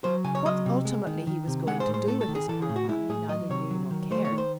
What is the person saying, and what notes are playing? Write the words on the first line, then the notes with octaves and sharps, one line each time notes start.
What ultimately he was going to do with his caravan he neither knew nor cared.
F#3 C5
C#3 G#5
C#5
F#3 D#5
C3
G#3
D#3
D#3
C3
G#3 F#5
C5
A2
C5
A3 A4
A4
D#3
G#4
E3 A4
G#4
A2
F#4
G#3 E4
A2 G#4
F#3 D#5
C3 C#5
F#3
D#3
A3 C5
C#5
D#3
C5